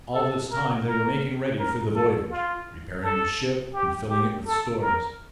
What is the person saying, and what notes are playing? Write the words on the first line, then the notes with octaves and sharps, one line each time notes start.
All this time they were making ready for the voyage, repairing the ship and filling it with stores.
A4
A#4
A#4
A#4
A4
F4
A4
G4
G4
A4
A#4